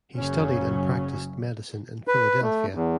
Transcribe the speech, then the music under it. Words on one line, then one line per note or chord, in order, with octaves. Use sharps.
He studied and practiced medicine in Philadelphia.
F#1 F#2 C#3 F#3 C#4
B4
A3
E2